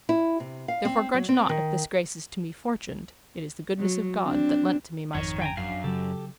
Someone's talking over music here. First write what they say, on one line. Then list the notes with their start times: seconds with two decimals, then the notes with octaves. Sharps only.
Therefore grudge not if this grace is to me fortuned, it is the goodness of God that lent to me my strength.
0.09 E4
0.40 C3
0.68 F5
0.85 C4
1.14 F#3
1.29 C4
1.49 D#3
3.78 F#3
4.22 C4 D4
5.15 G#1 F2 D#3 C#5
5.41 G5 G#5 A#5
5.57 F#2 D4 F5
5.84 C#3 F#3 G4 A4